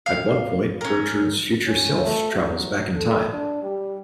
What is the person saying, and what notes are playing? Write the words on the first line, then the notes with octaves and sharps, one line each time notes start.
At one point, Gertrude's future self travels back in time.
F5
C#4 A#4
C#4
A3
F#3
A4
D4
G3